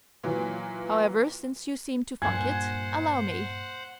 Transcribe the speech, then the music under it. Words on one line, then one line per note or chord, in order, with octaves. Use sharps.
However, since you seem to funk it, allow me.
A#2 E3 F#3
G2 A#2 C5 F#5 G#5 G#6